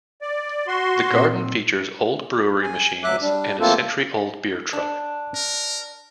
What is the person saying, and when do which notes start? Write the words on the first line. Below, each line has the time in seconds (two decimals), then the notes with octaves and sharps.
The Garden features old brewery machines and a century-old beer truck.
0.22 D5
0.68 F#4 C6
1.08 A#2 C4
2.63 G#5
3.04 D2 F#3 E5 D6 F#6
3.21 G3 D4
3.60 E2 A3 A#3 C4 F4 A4
4.73 D4
5.35 A#4